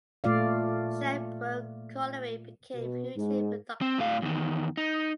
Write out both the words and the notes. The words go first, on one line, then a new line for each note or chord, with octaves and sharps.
Shirebrook Colliery became hugely productive.
A#2 A3 F4 D5 F5
B2
G#2
C4
A2 F5
E2 D#3
D#4